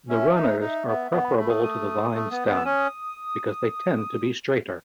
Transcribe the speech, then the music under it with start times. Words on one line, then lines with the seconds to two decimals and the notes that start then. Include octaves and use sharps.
The runners are preferable to the vine's stems because they tend to be straighter.
0.09 C#4 E5
0.35 D#4
0.60 D#4
0.86 B3
1.11 B3 F#5
1.25 B5
1.37 A3 B5
1.50 D#6
1.63 D#6
2.14 A3
2.31 B3
2.48 B3
2.57 E6
2.64 C#4 D#6